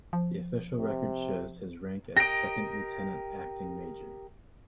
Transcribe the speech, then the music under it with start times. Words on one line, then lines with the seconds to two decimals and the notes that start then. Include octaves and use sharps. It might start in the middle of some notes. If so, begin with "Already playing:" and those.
The official record shows his rank as second lieutenant acting Major.
0.13 F3
0.77 C3
2.17 G4 A#4 D#5 A#6 D7